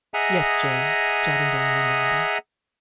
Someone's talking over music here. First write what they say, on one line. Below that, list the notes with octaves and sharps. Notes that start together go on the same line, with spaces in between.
"Yes, Jane," jotting down the memorandum.
G#4 D#5 E5 F#5 G#5 A#5